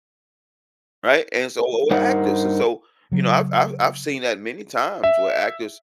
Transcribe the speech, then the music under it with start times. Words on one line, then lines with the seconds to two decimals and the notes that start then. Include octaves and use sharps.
right, and so o or actors, and so, you know, I've I've I've seen that many times where actors,
1.91 G2 D#4 A#4 C5 F#5
3.12 C#3 F#3
5.03 E5